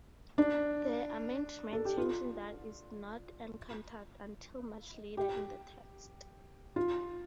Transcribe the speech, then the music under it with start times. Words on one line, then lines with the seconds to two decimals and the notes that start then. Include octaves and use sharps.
The amendment changing that is not encountered until much later in the text.
0.38 D4
1.73 A4
1.85 G4
1.98 F4
5.17 G4
6.76 F4